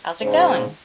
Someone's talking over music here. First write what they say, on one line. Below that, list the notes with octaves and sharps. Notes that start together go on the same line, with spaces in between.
How's it going?
G#2 C#3 C5